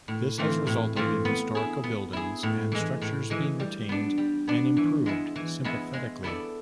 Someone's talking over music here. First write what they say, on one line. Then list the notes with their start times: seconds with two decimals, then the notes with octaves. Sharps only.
This has resulted in historical buildings and structures being retained and improved sympathetically.
0.08 A2
0.38 E3 A3 C4 F4
0.67 A2
0.96 E3 A3 C4 F4
1.25 B3
1.55 E4 G#4
1.84 B3
2.13 E4 G#4
2.43 A2
2.72 E3 G#3
3.01 A2
3.30 E3 G#3
3.60 G3
3.89 B3 D4
4.18 G3
4.47 B3 D4
4.77 E3
5.06 G#3 B3 E4
5.36 E3
5.64 G#3 B3 E4
5.93 G#3
6.24 B3 E4 A4 D5